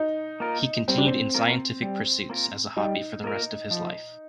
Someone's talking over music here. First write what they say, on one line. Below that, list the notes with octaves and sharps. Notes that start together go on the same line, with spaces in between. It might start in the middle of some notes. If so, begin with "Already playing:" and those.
He continued in scientific pursuits as a hobby for the rest of his life.
Already playing: D#4
A#3 F4 A#4
G3 C4
D4
C4
A#3 F4 A#4
G3
A#3 F4 A#4
G3 D#4
A#3 F4 A#4
F3